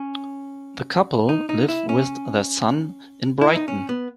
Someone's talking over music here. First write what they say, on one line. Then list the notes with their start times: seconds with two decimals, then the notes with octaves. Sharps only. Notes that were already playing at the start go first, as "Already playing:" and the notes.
The couple live with their son in Brighton.
Already playing: C#4
1.29 D#4
1.49 D#4
1.68 E4
1.89 C#4
3.41 E4
3.56 D#4
3.68 C#4
3.89 B3